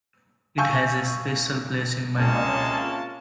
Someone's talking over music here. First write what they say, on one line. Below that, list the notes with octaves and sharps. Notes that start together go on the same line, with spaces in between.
It has a special place in my heart.
F5 G#5 A5 C#6 E6 G6
C#2 C3 G#3 A#3 C#4 A5
F4